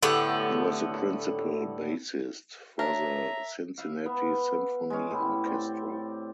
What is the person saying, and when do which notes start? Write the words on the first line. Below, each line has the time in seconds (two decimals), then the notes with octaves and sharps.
He was the principal bassist for the Cincinnati Symphony Orchestra.
0.02 A2 D3 B3 G4
2.79 D4 A#4 C#5 E5 A#5
3.78 E5 F5
4.06 B3
4.90 G#3 C#4
5.10 A2 E4 G4
5.46 C4 D5